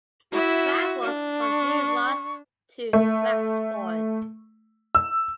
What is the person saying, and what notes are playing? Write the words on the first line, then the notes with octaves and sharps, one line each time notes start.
It travels from New Ross to Wexford.
E4 F#4 E5
D4
C#6
A3
E6